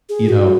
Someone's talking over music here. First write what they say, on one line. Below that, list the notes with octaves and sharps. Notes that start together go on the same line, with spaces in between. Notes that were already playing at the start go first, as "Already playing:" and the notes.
you know,
G#4
F#4